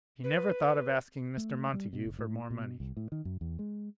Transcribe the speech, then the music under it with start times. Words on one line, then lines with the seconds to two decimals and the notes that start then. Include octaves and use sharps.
He never thought of asking Mr. Montague for more money.
0.24 B4
1.37 A3
1.74 G3
1.93 B2
2.05 F#1
2.19 A2
2.51 B2
2.80 C2
2.97 A2
3.12 D#3
3.25 F#2
3.41 E2
3.59 G#3